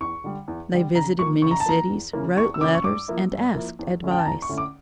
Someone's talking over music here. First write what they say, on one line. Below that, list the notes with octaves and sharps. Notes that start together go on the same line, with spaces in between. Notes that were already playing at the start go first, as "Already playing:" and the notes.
They visited many cities, wrote letters, and asked advice.
E2 C#6
D3 G3
E2
D3 G3
C#3 A#5
F3 A#3 C#6
C#3 C#6
A#5
A5
F3 A#3 A#5
E2
C#3 E3 A#3 C#4
E2 C#6
E6
C#3 E3 A#3 C#4 D6
C#6
G2 D6
F3 A#3 E4
G2
F3 A#3 E4
E2
D3 A3 C#4 E4
G5
A5
E2 A#5
C#6
D3 A3 C#4 E4
D6